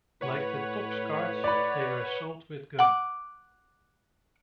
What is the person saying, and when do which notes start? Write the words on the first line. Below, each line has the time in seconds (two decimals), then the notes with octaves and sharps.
Like the Topps cards, they were sold with gum.
0.21 A2 B4 C#5 F#5
1.44 D5 B5
2.79 F#5 D6